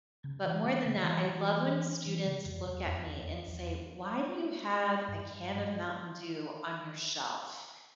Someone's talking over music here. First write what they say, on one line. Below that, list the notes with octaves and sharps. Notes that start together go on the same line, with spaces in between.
but more than that, I love when students look at me and say, "Why do you have a can of Mountain Dew on your shelf?"
C#3
E3
E3
C#3
F3
E3
E3
E3
C#3
F2
E2
F2
E2
E2
G2